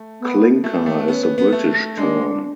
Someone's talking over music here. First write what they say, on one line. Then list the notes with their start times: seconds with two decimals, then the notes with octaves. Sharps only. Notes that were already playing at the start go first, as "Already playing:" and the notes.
Clinker is the British term.
Already playing: A3
0.20 B3
0.64 A3
0.86 A3
1.08 B3 C#4
1.23 B3
1.38 B3
1.52 A3
1.97 G#3 D4